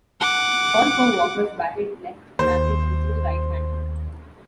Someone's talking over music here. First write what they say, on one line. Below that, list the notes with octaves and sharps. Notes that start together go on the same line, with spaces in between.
All four Walkers batted left-handed and threw right-handed.
F#5 D6
D#2 C5